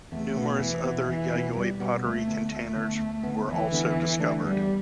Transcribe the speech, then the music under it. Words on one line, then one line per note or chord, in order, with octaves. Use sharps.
Numerous other Yayoi pottery containers were also discovered.
E2 A3
B2 B3
E2 E3
B2 B3
E2 E3
B2 B3
E2 G3
B2 B3
D2 A3
D3 B3
D2 A3
D3 B3
D2
D3 B3
D2 E3
D3 B3
E2
D3 A3 D4
E2 G3